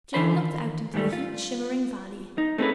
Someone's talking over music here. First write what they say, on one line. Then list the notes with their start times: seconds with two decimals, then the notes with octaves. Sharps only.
Jane looked out into the heat-shimmering valley.
0.14 D3 E3 C#4 F4 C5 B5
0.35 D#3
0.94 G#2 D#3 E3 G3 A3
1.13 F4
2.38 D#4
2.58 A3 C4 C#4 E4 G#4 B4